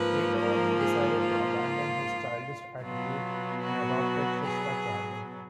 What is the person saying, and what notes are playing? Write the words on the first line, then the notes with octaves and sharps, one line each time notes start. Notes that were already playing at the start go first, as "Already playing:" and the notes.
Later on he decided to abandon his childish attitude and adopted shistacharya.
Already playing: G#2 F3 A#3 B4
A#4
G#4
F4
B2 F#3 B3 F4
F#4
G#4